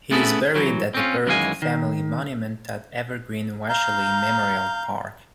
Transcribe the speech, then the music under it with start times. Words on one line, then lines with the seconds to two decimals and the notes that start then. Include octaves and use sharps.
He is buried at the Burke family monument at Evergreen Washelli Memorial Park.
0.11 A3 B3 C#4 E4 G#4 A4
0.55 E3 F#3
0.94 C4 C#4 F4
1.27 F#2 D#3 E3 G#3 F5 G#5
1.62 D#3
3.69 F5 A#5 G6